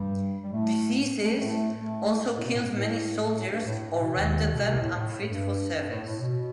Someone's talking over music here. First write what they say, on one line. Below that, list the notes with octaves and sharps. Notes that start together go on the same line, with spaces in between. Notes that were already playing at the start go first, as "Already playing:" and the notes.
Diseases also killed many soldiers or rendered them unfit for service.
Already playing: G2 G3
G3
A2 A3
A3
G3
A2 A3
A2 A3
A2
B2
A2
G2
A2
A2
G2
A2
B2
D#2 D#3
B2
C2 C3
A2
A2
G2
G2
A2
A2
B2